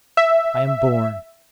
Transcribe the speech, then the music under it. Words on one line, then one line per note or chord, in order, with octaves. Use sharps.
I am born.
E5